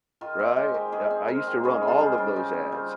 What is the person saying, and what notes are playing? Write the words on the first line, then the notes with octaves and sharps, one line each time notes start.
right? Yeah, I I used to run all of those ads,
D#3 F4
C4
G#3 G4
D#3
D#3 G#4
C4
G#3 A#4
D#3
C#3 G#4
C4
F4
G3
G4
C#3
C#3 D#4
C4
G3 F4